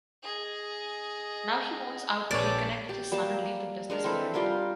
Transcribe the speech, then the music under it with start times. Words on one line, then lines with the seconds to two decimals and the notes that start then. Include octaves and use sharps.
Now he wants out to reconnect with his son and leave the business behind.
0.23 G#4 D#5
2.31 A#1 A4 B4 C#5 D5 G5
2.89 G4
3.12 G3 A#3 G4 A5
3.90 G#3 D4 A#4
4.04 C4 E4 A4 B4
4.34 G3 F4 A#4 G5